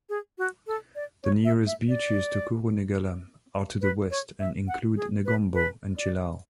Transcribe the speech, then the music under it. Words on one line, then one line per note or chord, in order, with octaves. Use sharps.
The nearest beaches to Kurunegala are to the west and include Negombo and Chilaw.
G#4
F#4
A4
D5
C#5
E5
E5
D5
B4
C#5
E5
F#5
G#4
B4
B4
D5